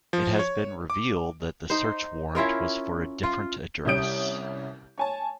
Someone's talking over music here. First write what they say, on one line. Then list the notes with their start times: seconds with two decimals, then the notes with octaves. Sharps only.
It has been revealed that the search warrant was for a different address.
0.13 F3
0.39 C#5
0.90 D6
1.70 D#4 C5
2.35 C#4 E4 F4 A#4
3.23 F4
3.85 C2 G3 C#4 D#6 G6 D7
4.98 C#5 G#5 A5